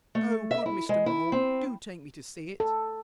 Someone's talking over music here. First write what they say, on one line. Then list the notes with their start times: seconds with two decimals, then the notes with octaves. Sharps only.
'Oh! good Mr. Mole, do take me to see it!'
0.15 A3
0.51 E5
0.66 E4
0.89 G#3
1.06 E4
1.32 C4
2.60 A4